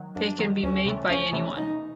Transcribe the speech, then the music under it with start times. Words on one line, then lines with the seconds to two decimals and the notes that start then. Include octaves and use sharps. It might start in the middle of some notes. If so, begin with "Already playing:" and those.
They can be made by anyone.
Already playing: D#3 F#3
0.16 F#2 D4
0.39 D#3 F#3
0.63 D2 C#4
0.86 C3 E3 A3
1.10 D2 C#4
1.33 C3 E3 A3
1.56 B2 D#4